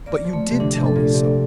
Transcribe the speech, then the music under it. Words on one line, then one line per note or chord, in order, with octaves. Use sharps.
"But you did tell me so."
A#3 D5
F3
A3
C3
D3 D4
C3
A4
A#2
C3 D5